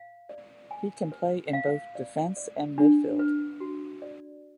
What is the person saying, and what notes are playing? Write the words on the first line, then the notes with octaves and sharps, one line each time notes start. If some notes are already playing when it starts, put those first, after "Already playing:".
He can play in both defence and midfield.
Already playing: F5
D5
G#5
B4
F5
D5
D5
D4
B4
F#4
D5